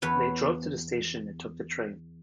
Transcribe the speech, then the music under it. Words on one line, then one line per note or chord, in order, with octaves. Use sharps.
They drove to the station and took the train.
E2 B4 C#5